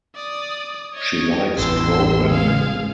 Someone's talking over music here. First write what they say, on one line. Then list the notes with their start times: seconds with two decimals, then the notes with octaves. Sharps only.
She likes programming.
0.15 D5 D#6
0.94 C#5 D#5
1.58 A1 E2 C6 E6
2.27 G#4 F5